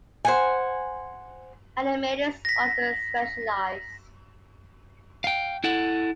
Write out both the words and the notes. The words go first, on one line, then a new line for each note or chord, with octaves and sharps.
Animators often specialize.
C5 F#5 G#5
A#6 B6
F5 G5
E4 A4 F#5